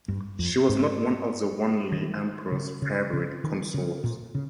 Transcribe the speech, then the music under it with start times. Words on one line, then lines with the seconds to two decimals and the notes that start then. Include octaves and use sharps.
She was not one of the Wanli Emperor's favourite consorts.
0.08 G2
0.39 F2
0.69 G#2
1.92 D#3
2.52 C#3
2.82 C#3
3.13 C#3
3.44 D#3
3.74 C#3
4.04 A#2
4.35 C#3